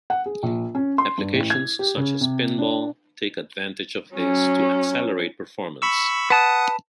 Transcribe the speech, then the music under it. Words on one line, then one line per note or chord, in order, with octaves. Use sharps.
Applications such as Pinball take advantage of this to accelerate performance.
F#5
G#4
A#1
C#4
C6
G2
A1
G#6
G4
C#3
C3
D4
F#3 C#4
B5 C#6 E6
B4 F#5 A5 D#6